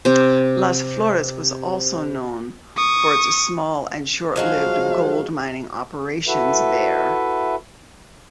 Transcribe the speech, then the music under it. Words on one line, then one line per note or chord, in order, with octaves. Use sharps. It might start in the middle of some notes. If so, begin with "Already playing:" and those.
Las Flores was also known for its small and short-lived gold mining operations there.
C3 C5
C#6 D#6
F3 F#3 G#3 F#4 F5
E4 F#4 A4 B4 E5